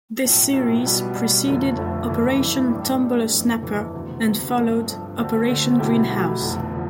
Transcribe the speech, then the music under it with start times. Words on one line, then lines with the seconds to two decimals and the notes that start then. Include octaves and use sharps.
This series preceded "Operation Tumbler-Snapper" and followed "Operation Greenhouse".
0.23 B1 A2 F3
0.53 B1 A2 F3
0.84 B2 G3 B3
1.15 B2 G3 B3
1.46 F1 F2 D3 F3 A3
1.77 F1 F2 D3 F3 A3
2.08 G2 E3 A3 E4
2.39 G2 E3 A3 E4
2.70 A2 G3 D4 G4
3.01 A2 G3 D4 G4
3.32 G1 F2 E3 A3
3.62 G1 F2 E3 A3
3.93 E1 D2 C3
4.24 E1 D2 C3
4.55 G2 F3 A3
4.86 G2 F3 A3
5.17 D2 D3 A3 C4
5.48 D2 D3 A3 C4
5.78 B1 B2 A3 E4 G4
6.10 B1 B2 A3 E4 G4
6.41 F1 E2 D3 F3 A3
6.73 D3 F3